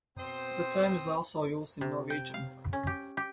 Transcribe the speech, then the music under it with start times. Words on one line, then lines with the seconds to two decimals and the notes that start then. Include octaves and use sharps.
The term is also used in Norwegian.
0.17 B2 C4 C5 D#6
1.81 C3
2.10 G5
2.34 F5
2.73 C#4
2.87 G4
3.17 G4